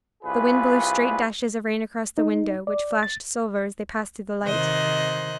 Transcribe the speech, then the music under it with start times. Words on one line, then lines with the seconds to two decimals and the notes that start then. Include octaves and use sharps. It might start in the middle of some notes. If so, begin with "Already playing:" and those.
The wind blew straight dashes of rain across the window, which flashed silver as they passed through the light.
0.24 C2 F4 G#4 B4
2.18 D#4
2.67 D5
3.03 A6
4.45 C3 D#3 C5 D#5 F#6